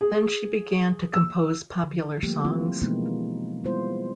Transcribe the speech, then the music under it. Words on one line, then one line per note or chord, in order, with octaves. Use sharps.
Then she began to compose popular songs.
G#4
E6
D3
F3 G3 A3 A#3 G4
F3 C4 E4 F4
B2 E3 G#3 A#3 B3 D#4
G3 G#3 B3 E4 F4 C5